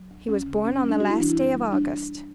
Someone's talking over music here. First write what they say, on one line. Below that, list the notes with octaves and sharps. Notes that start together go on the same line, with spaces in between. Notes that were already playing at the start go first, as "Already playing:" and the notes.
"He was born on the last day of August."
Already playing: F#3
D2
D2 C#4
C#3
F#2 C#4
C#4
G3
D4
G3 F#4
E4
E3 D4
E4
F#2
G3
G3 D4